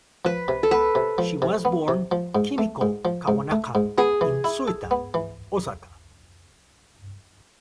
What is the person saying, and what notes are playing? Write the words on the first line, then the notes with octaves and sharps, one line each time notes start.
She was born Kimiko Kawanaka in Suita, Osaka.
F3 B4
C3
A4
B3 B4
C3
F3
C3
B3
C3
F3
G#2
A3
G#2
F3
G#2
A3
G#2
B3 G#4
E3
E4
A4
B3
E3